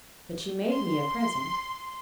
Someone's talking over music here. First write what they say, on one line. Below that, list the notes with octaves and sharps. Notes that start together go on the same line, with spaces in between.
But she made me a present.'
C6